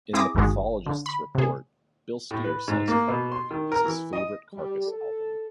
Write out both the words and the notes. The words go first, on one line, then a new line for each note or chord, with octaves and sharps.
In "The Pathologist's Report," Bill Steer says "Heartwork" is his favourite Carcass album.
C4 E4 G#4 D6 D#6 A#6
G1 D#3 G#3 F#4 G#4
D3
B5
C3 G#4
A2
B4
G#2
A#3
B2
C6
D#3
A#4
E3
D#5
G3
A4